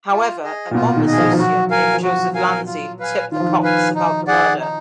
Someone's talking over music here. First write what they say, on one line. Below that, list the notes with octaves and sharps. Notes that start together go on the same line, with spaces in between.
However, a mob associate named Joseph Lanzi tipped the cops about the murder.
F4
G#4 D#5
A#2
B2 F4
D#3
G#4 D#5
F3
F3
F#3 F#4
A#4 F5 G#5
F3
F#3 F#4
A#4 F5 G#5
F4
B4 F5 G#5
D#3 F4
F3
D#3
B4 F5 G#5
D#4
G#4 D5 F#5
D#4